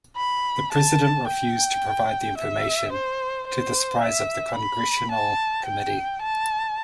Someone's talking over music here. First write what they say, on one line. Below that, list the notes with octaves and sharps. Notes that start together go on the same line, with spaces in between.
The president refused to provide the information, to the surprise of the Congressional committee.
B5
A5
G5
E5
C5
C5
E5
B5
A5
G5
A5